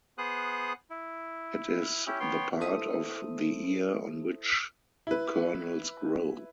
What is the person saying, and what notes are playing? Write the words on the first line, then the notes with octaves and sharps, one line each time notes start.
It is the part of the ear on which the kernels grow.
B3 G#4 C5 D#6 F#6
E4
C#4 E4 G4
B3 C#5 G5 C6
E4 A4 C5 E5 D#6
E4 B4